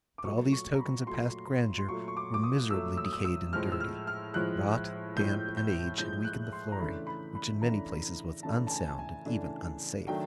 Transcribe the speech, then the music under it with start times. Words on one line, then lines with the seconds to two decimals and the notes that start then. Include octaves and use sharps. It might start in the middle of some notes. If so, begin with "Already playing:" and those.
But all these tokens of past grandeur were miserably decayed and dirty; rot, damp, and age, had weakened the flooring, which in many places was unsound and even unsafe.
0.18 D6
0.25 A#2 F#3 A3 C#6
0.53 C#6
0.75 A#5
0.80 B5
1.07 A#2 F#3 A3 C6
1.78 C6
1.88 A#2 F#3 A3 C#6
2.08 C#6
2.17 D6
2.34 D6
2.43 D#6
2.70 A#2 F#3 A3 E6
2.97 E6
3.04 D#6
3.13 E6
3.25 E6
3.53 A2 F3 G#3 F6
3.72 E6
3.80 F6
4.07 F6
4.34 A2 F3 G#3 F#6
5.16 A2 F3 G#3 G6
5.57 G6
5.98 A2 F3 G#3 G6
6.25 F#6
6.52 C6
6.72 A#5
6.79 C#3 E3 A3 D4 B5
7.07 B5
7.35 B5
7.62 C#3 E3 A3 D4 A#5
8.43 C#3 E3 A3 D4 A5
8.67 A5
8.70 G#5
8.88 A5
8.99 G#5
9.25 C#3 E3 A3 D4
10.07 D#3 F#3 A3 D4 G5